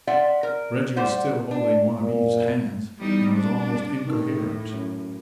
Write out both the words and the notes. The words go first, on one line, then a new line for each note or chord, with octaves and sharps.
Reggie was still holding one of Eve's hands and was almost incoherent.
F4 D5 E5 F#5 G5
A#4
G3 F4 G4 C5 F#5
D4
A#2
E2 G3 D#4
C3 D4
A2 D#3
F#2